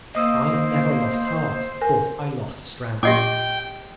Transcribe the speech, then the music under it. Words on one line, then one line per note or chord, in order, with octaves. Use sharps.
I never lost heart, but I lost strength.
A#3 C5 D#5 D#6 E6
A#4 G#5
A#2 G4 D#5 G5 C6 D6 A#6